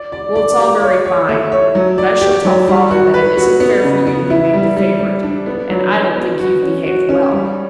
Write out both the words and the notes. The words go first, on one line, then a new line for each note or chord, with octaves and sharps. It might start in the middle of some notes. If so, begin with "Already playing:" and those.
"Well, it's all very fine, but I shall tell father that it isn't fair for you to be made the favourite, and I don't think you've behaved well."
Already playing: D5
D5
D5
G4
C#5
C#5
A3
C#5
F#3
D5
G4
F#3
G3
F#4
B4
F#4
B3
C#3
B3
E4
G3
G3
G3
D4
B3
F#3
F#3
B3
F#4
C#4
F#4
C#4
G3